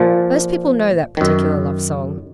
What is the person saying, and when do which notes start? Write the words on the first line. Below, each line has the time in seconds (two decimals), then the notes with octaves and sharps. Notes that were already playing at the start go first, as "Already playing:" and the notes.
Most people know that particular love-song.
Already playing: A#2 F3
1.17 F#2 D#3